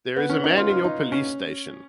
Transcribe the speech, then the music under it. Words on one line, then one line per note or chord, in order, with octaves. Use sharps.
There is a man in your police station.
B3
C#4
D#4
F4
F4
D#4
C#4